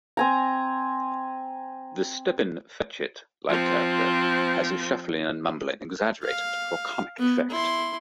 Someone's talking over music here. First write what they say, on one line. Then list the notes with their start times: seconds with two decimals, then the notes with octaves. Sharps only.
The Stepin Fetchit-like character has his shuffling and mumbling exaggerated for comic effect.
0.17 C4 G#5 A#5
3.49 F3 C4
6.24 F5
7.18 B3
7.50 E4 C6